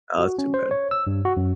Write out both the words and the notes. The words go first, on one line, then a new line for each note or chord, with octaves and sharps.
Oh, that's too bad.
F#4
C#4
C5
C#5
E6
G2
F#4
F#2